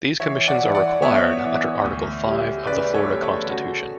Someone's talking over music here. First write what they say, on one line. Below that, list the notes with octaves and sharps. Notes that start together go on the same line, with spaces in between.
These commissions are required under Article Five of the Florida Constitution.
E3 C#5 E5
D5 F#5
E3
D5 F#5
B3 C#5 E5
E3
D2
G3
C#3 B4 D5
A4 C#5
G3
A4 C#5
C#3 F#4 A4